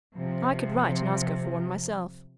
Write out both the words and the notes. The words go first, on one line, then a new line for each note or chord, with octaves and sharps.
"I could write and ask her for one myself."
C3 F3